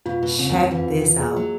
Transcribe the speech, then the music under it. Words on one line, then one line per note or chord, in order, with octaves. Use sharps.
Check this out.
B2 F4
B2 F4
C#3 C4
D#2 D#3
C4
D#2 D#3
E2 E3 F4
B4
F4
G#4
F#3 A#3